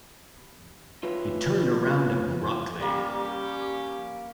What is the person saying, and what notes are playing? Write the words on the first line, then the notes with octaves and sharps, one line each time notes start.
He turned around abruptly.
E4 F4 B4 C#5
G3 A#3 C#4 G4